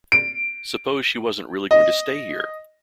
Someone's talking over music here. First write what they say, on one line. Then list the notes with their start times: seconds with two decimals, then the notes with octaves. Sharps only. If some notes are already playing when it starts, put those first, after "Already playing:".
Suppose she wasn’t really going to stay here!
0.12 D7
1.71 D#5